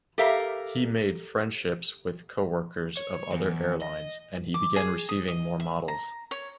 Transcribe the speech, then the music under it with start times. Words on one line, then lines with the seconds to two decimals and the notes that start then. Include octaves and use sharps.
He made friendships with co-workers of other airlines, and he began receiving more models.
0.18 G4 A4 A#4 E5 F5
2.97 C#5
3.31 E2
3.82 D#5
4.54 D6
4.76 G#4
5.09 D#6
5.28 D#5
5.60 E5
5.88 A#5
6.31 C#5